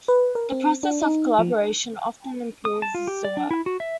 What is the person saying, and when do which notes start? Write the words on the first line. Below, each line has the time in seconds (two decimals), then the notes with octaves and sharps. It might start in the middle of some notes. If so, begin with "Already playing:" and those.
The process of collaboration often improves the work.
0.08 B4
0.35 A#4
0.52 C4
0.83 D4
1.02 D#4
1.39 F3
2.65 D#6
2.82 A5
2.94 F4
3.07 G4
3.25 D5
3.37 D4
3.51 E4
3.66 F#4
3.80 E5